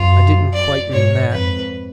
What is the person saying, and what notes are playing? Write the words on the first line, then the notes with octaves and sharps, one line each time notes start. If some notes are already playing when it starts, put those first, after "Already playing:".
"I didn't quite mean that."
Already playing: F#2 F4
D5
G#2 C#5
F2 B4